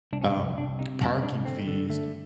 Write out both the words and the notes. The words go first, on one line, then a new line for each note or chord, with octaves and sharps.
um, parking fees,
C2 D4
C#4
D4
C2
C2 D4
C3 D#4
C2 D4
C3 D4
D3 C4
D3
D3 A3